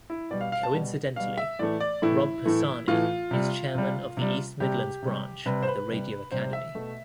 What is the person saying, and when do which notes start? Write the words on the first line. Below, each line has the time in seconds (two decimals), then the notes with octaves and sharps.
Coincidentally, Rob Persani is Chairman of the East Midlands branch of the Radio Academy.
0.10 E4
0.31 B2 G3 D5
0.41 F5
0.52 F5
0.63 A5
0.74 B2 G3
1.16 B2 G3 F5
1.38 E5
1.59 A2 E3 A3 D5
1.80 D5
2.02 A2 E3 A3 E4
2.46 A2 E3 A3
2.88 A2 E3 A3 F4
3.31 C3 G3
3.75 C3 G3
4.17 C3 G3
4.60 C3 G3 G4
5.03 C3 G3
5.46 C3 G3 B4
5.62 C5
5.68 B4
5.89 C3 G3
6.31 C3 G3 C5
6.53 E5
6.75 B2 A3